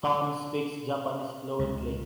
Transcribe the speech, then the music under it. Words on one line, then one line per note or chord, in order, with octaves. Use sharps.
Tom speaks Japanese fluently.
C#2